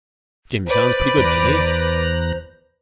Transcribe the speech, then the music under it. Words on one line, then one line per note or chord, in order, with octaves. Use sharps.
Jim sounds pretty good to me.
B4 C5 D5
E2 A#5 F#6